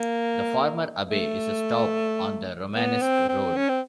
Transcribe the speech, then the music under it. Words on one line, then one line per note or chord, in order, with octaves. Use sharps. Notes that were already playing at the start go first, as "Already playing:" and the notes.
The former abbey is a stop on the Romanesque Road.
Already playing: A#3
A3
B3
C4
C4
C#4
C4